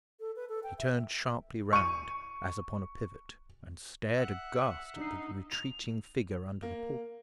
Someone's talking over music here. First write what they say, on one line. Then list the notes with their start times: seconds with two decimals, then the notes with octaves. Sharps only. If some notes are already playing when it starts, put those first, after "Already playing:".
He turned sharply round, as upon a pivot, and stared aghast at the retreating figure under the porch.
0.20 A4
0.36 B4
0.49 A4
0.63 G5
0.78 E5
1.73 C#6 D#7
4.17 E5 F#5
4.98 D4 D#4 D#5 C7
5.52 F7
6.62 A#3